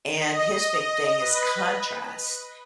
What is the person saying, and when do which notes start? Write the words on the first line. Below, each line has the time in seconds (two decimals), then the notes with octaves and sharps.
And his big thing is contrast.
0.18 D#5
0.52 D#5
0.86 D#5
1.20 B4